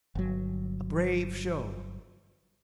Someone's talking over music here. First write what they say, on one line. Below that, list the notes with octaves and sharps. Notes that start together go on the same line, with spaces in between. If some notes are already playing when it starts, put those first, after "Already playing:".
A brave show.
G1 F#3